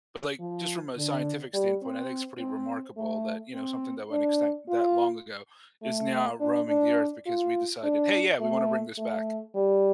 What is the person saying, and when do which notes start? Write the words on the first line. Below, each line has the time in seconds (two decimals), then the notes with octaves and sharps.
but, like, just from a scientific standpoint, I think it's pretty remarkable that, you know, something that went extinct that long ago is now roaming the earth because we decided, "Hey, yeah, we wanna bring this back."
0.40 F3
0.97 D3
1.54 G3
1.83 C4
2.40 C4
2.97 A3
3.54 C4
4.11 D4
4.69 F4
5.83 A3
6.40 D4
6.69 D4
7.26 F4
7.84 D4
8.40 A3
8.98 A3
9.55 G3